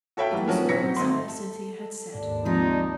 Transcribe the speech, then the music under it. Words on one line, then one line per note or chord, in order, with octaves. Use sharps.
It was all as Hyacinthia had said.
F#4 A4 C#5 E5 F5 G5
E3 F#3 G3 A3
D#3 F3 F#3 A3 C#4 F#4
A1 B2 C#5 A#6 B6 C#7
F#3
G#1 C4 D#5 C6
A4
D#2 G#2 D4
G#2 F3 G#3 C4 D#4 F4